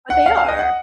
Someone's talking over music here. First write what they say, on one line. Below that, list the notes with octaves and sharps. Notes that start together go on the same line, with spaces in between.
But they are.
F#5
F5
F5
D#5
F#5